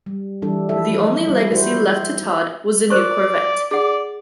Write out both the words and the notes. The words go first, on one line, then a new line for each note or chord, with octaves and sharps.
The only legacy left to Tod was a new Corvette.
G3
E3 G3 D4 E4 A4
F3 E4 A4 E5
G3 E4 F4
E4 F#4 C5
A#4 C5 D5 C#6
G#4 D5 F#5